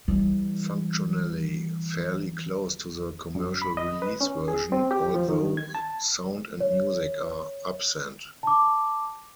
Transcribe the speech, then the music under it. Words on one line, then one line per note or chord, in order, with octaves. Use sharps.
Functionally fairly close to the commercial release version, although sound and music are absent.
E3 G3
F#2
B5
D#5
B4
C#4
G#4
C4
G4
F3
D#3
G#6
A5
C#5
A5 D6